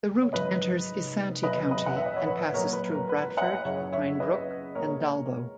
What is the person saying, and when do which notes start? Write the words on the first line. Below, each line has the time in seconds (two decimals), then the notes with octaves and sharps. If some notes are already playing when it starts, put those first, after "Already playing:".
The route enters Isanti County and passes through Bradford, Pine Brook, and Dalbo.
0.22 C#5
0.33 G#2 D#3 F#3 B4 D#5
1.43 E2 B2 F#3 B4 D#5
1.71 B4 D#5
1.86 F#5
1.96 E5
2.06 D#5
2.16 C#5
2.26 B4
2.54 A#2 A#4 C#5
2.58 F#3
2.73 B4
2.91 A#4
3.09 B4
3.37 D#5 F#5
3.65 F#2 C#3 F#3 C#5 E5
3.92 C#5 E5
4.20 B4 D#5
4.75 A#2 G#3 A#4 C#5